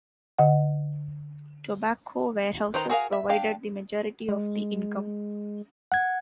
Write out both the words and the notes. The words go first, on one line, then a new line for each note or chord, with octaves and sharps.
Tobacco warehouses provided the majority of the income.
D3 D#5 F#5
D#3 B4 C5 A#5
F#4 G#4 A#4 F5
E5
D4 G4 F5
G#3
F#5 G#6